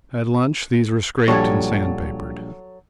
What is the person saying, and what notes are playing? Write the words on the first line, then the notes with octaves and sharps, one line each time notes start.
At lunch these were scraped and sand-papered.
A#1 F#3 G3 A4 C#5